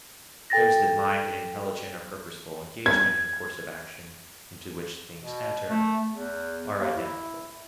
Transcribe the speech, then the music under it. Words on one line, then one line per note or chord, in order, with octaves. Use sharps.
It shows that mind and intelligent or purposeful engagement in a course of action into which things enter are identical.
A4 G5 A6 A#6
G#6
B2
A3
E2
D#2
E4